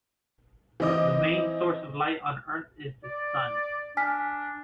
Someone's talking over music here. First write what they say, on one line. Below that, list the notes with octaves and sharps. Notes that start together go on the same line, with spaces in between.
The main source of light on Earth is the Sun.
E3 C4 D#4 D#5 D6 D#6
D5
D4 G#5 F6 B6